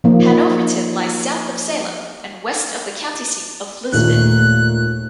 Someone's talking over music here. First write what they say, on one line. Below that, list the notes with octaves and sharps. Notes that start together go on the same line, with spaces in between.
Hanoverton lies south of Salem and west of the county seat of Lisbon.
F3 A#3 D#4
D#2 A#2 A3 F#6